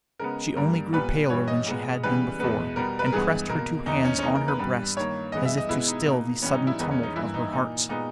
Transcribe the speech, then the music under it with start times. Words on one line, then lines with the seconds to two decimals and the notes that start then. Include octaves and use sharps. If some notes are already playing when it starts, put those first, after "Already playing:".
She only grew paler than she had been before, and pressed her two hands on her breast, as if to still the sudden tumult of her heart.
0.19 C#3 G#3 B3 A#4
0.56 G2 G3 A#3 A#4
0.93 A#2 G3 B3 B4
1.30 G2 E3 G3 C#5
1.48 D#5
1.66 A#2 G#3 B3
2.03 C#3 E3 G3 B3 B4
2.39 E2 B2 G#3 B3 B4
2.76 B2 G3 B3 A#4
2.99 B4
3.06 A#4
3.13 G2 E3 G#3 B3 G#4
3.49 B2 A#4
3.55 A#3
3.86 E2 D#3 A#3 D#4
4.04 C#4
4.19 C#4
4.22 C#3 E3 A#3 D#4
4.35 A#4
4.48 B4
4.59 G2 G3 B3
4.96 G2 D#3 A#3 C#5
5.32 G2 E3 G#3 B3 D#5
5.45 E5
5.57 D#5
5.69 B2 G#3 B3 E4
5.87 D#4
6.07 B2 A#3
6.42 G#2 E3 G3 B3 C#4
6.54 D#4
6.67 E4
6.79 E2 D#3 G#3 B3 D#4
6.91 C#4
7.03 D#4
7.16 G2 E3 A#3 E4
7.34 D#4
7.53 A#2 A#3 D#4
7.89 A#2 G#3 B3 D#4